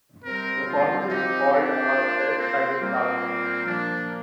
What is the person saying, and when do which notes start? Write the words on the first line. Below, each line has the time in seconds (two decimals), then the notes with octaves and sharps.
The former is called a self-guided plasma.
0.24 C3 G3 C4 A#4
0.67 F4
1.10 F3 C4 D#4 G4
1.53 D4
1.96 A#3 F4 C5
2.39 C4
2.80 A#2 G3 A#3 C4
3.66 A#2 F3 A#3 D4